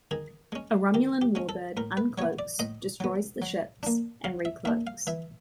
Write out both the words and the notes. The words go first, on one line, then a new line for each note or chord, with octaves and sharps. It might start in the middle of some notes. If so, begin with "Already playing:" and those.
A Romulan Warbird uncloaks, destroys the ships, and recloaks.
D#3 G#4
G#3 C#4
D#3 G4
G4
G#3 C#4
A4
A2 A#4
B4
F#3 B3 C#5
D5
A2 D#5
F#3 B3
F#3
A#3 D4
F#3 F5
E5
A#3 D4 E5
F5
E3 E5